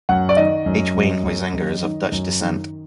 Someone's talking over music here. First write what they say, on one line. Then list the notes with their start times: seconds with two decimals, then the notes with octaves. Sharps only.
H. Wayne Huizenga is of Dutch descent.
0.09 F#2 F#5
0.29 D5
0.37 D#3 D#5
0.66 F#2
0.95 F#2
1.24 F#2
1.54 F#2
1.83 D#3
2.12 F#2
2.40 D#3